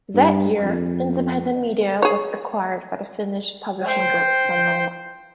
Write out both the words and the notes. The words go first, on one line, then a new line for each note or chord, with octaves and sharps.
That year, Independent Media was acquired by the Finnish publishing group Sanoma.
G2
F2
G#4 C#5
C5 G5